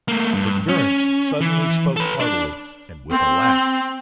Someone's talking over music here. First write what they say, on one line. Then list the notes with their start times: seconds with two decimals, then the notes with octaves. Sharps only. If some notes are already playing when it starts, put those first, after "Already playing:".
For Durrance suddenly spoke heartily, and with a laugh.
0.08 A3 A#3
0.34 G2
0.69 C#4
1.41 E3
1.96 A4 B4
2.20 D4 D5
3.11 C4